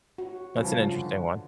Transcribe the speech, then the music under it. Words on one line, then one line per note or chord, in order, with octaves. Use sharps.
That's an interesting one.
F#4
G2 C#3 F3
D3